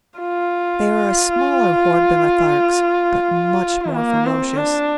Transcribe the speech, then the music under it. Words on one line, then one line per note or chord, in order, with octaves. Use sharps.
They are a smaller horde than the Tharks but much more ferocious.
F4
A#3
C4
D4